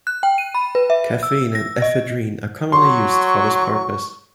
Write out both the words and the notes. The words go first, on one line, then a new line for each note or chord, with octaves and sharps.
Caffeine and ephedrine are commonly used for this purpose.
F#6
G5
D#7
B5
B4
E5
E6
A#6
D#5
F#3 C6 C#6